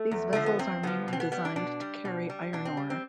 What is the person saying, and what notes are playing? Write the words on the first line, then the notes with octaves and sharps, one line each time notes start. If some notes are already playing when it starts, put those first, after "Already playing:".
These vessels are mainly designed to carry iron ore.
Already playing: A3
E2
D3 F3 A3
B3
E2 C4
D3 F3 B3
B2 C4
B3
G3 B3
D4
B2 D4
G3
B2
G3
B2 D4
C4
G3
C4